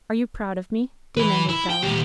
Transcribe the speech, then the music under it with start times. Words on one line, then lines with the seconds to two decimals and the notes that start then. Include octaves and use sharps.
"Are you proud of me?" demanded Dolly.
1.17 E4 B4
1.49 E4
1.70 G5
1.83 A#2 G4